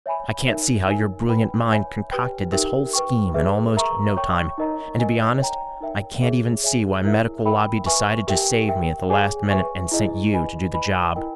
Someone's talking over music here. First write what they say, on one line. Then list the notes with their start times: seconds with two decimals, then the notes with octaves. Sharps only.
I can't see how your brilliant mind concocted this whole scheme in almost no time. And to be honest, I can't even see why Medical Lobby decided to save me at the last minute and sent you to do the job.
0.06 C#5 E5 G#5 B5
0.47 D#4 A#4 C#5 E5
0.87 D#4 A#4 E5 G#5
1.29 B4 G5 B5
1.70 C#5 E5 G#5 B5
2.11 G4 B4 G5
2.52 D#4 G4 A#4 E5 G5
2.93 B4 G5 C#6
3.34 G#4 B4 E5
3.76 A#4 E5 A#5 C#6
4.17 C#5 G5 C#6
4.58 D#4 A#4 D#5 A#5
4.99 A#4 D#5 G#5
5.40 C#5 G5 A#5
5.80 D#4 A#4 E5 G5
6.22 G#4 C#5 E5
6.64 G#4 C#5 E5 G#5
7.04 E4 A#4 E5
7.45 A#4 E5 G5 B5
7.86 B4 E5 G#5 C#6
8.27 G4 A#4 E5 G5
8.69 A#4 E5 G5
9.10 G#4 C#5 G#5
9.51 B4 E5 G#5 C#6
9.91 E4 G#4 D#5
10.33 B4 D#5 G#5 B5
10.74 B4 D#5 G#5 B5
11.16 E4 A#4 D#5 G5